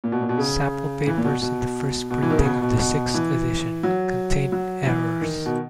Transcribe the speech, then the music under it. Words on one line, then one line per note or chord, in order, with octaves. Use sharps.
Sample papers in the first printing of the sixth edition contained errors.
A#2
B2
A#2
B2
C#3
E3
A#2
B2
B2
B2
E3
D#3
C#3
B2
B2
B2
E3
F#3
F#3
E3
D#3
B2